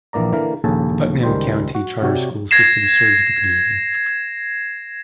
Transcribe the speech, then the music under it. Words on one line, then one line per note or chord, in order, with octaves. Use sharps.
The Putnam County Charter School System serves the community.
A#1 E3 A#3 D5 A#5
D3 E3 A#3 A#4 F5
A#1 D#2 C#3 A4 G#5 A5
C#2 D#3 G3 C5
F#4
C3 F#3 F#4 G4 C#5 D5
G#6 A#6 C7 E7